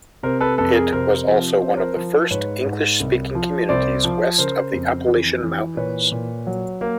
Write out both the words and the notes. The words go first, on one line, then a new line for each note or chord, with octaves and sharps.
It was also one of the first English-speaking communities west of the Appalachian Mountains.
C3 A#4 C5
A4 B4
F2 A4 B4
G#4 A#4
C3 A#4 C5
F3
C4 C5
C#5
A#4 C5
F3
G#2 B4 C#5
G#2
C2
F3
C2 C5 D5
F3
C#3 A#4 C5
F2
E3
E3
A#2 B4 C#5
A#2
F#3
A#3